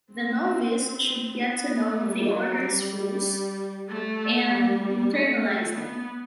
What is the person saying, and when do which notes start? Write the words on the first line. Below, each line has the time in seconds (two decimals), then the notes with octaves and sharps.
The novice should get to know the order’s rules and internalize them.
0.13 C4
1.38 B3
2.01 G3
2.32 F#3
2.64 G3
3.88 A3
4.50 G3
5.14 A3
5.75 B3